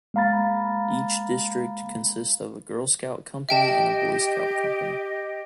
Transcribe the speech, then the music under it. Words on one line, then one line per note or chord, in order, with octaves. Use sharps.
Each District consists of a girl scout company and a boy scout company.
G#3 A#3 F5 A#5 B5 A6
G4 D#5 E5 G5 A5